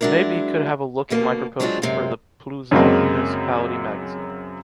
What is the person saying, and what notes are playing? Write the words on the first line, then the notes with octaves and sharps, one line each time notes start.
You may be could have a look at my proposals for the Plouzane municipality magazine.
F#3 G#3 D4 E4 A#4
B2 D3 A#3
F#3 G#3 C4 D4 E4 F4
F#2 C3 G#3 A#3
F#2 C#3 F#3 G#3 A#3 C4